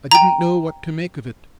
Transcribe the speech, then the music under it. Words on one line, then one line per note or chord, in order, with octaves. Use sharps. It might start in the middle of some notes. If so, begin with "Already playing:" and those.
I didn't know what to make of it.
G5 A#5